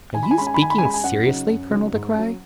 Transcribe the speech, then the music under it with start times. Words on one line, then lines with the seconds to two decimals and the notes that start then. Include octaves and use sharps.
"Are you speaking seriously, Colonel De Craye?"
0.14 D#3 G#5
0.23 B5
0.31 G#5
0.37 G#3 C#4 B5
0.47 G#5
0.54 B5
0.59 D#3 G#5
0.70 B5
0.78 G#5
0.81 G#3 C#4 B5
0.94 G#5
1.04 F#2 F#5
1.26 C#3 F#3 D#4
1.48 F#2
1.70 C#3 F#3 D#4
1.93 G#2
2.14 F#3 C#4